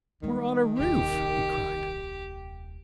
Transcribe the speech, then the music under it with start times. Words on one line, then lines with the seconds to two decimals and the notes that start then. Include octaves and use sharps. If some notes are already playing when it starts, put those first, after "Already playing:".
"We're on a roof!" he cried.
0.22 D#3 G3 G#3
0.78 D#1 C2 G4